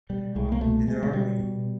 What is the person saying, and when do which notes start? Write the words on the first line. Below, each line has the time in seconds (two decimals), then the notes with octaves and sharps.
um, and there are, like
0.09 B2 G3
0.35 C2 G#3
0.52 A#3
0.61 B2 A3
0.87 B2 G#3
1.03 G#3
1.13 B2 G3
1.40 B2